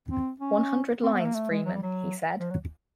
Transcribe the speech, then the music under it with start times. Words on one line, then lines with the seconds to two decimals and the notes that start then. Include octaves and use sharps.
"One hundred lines, Freeman," he said.
0.08 C4
0.40 C#4
1.03 C4
1.14 B3
1.20 A3
1.25 A#3
1.35 A3
1.50 G#3
1.66 F#3
1.75 G3
1.83 F#3
2.40 F3
2.50 F#3